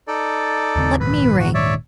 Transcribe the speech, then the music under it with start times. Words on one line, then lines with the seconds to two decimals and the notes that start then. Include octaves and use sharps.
Let me ring.'
0.08 D#4 A4 D5
0.76 D#2 C#3 C4
1.00 D#1 D#2 G#2 B4
1.39 F#4
1.54 C#5 D5 E5